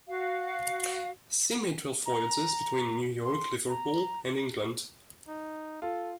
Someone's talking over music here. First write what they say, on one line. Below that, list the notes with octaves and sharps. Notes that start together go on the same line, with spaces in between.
She made twelve voyages between New York and Liverpool, England.
F#4 F5
A#5
C6
A#5
D#4
F4 A4